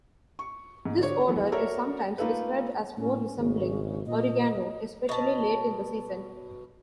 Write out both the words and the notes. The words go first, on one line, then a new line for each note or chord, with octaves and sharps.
This odor is sometimes described as more resembling oregano, especially late in the season.
C#6
G#2
D3 D4 G4 C5 C#5
E3 F#3 B3 A4
F#4 A4 A#4 C#5 D5 E5
A3 A#3 D#4 F4 A4 B4
A2 C#4
G#1 C#3
A#2 D#5
B2 A5